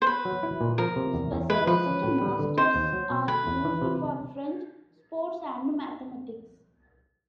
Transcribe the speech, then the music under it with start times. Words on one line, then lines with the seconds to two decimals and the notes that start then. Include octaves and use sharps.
Specialist masters are used for French, sports and mathematics.
0.02 C5
0.07 B3 B4
0.25 F#3
0.43 E4
0.61 A#2
0.78 F3 A#4
0.96 C3
1.14 E2
1.32 E2
1.50 G#3 B4
1.67 F3 B4
1.86 C#4
2.03 A2
2.22 G3
2.39 D3
2.57 C4 C5
2.74 D#2
2.93 F#3
3.10 B2
3.28 A3 B4
3.47 E2
3.65 E3
3.82 C3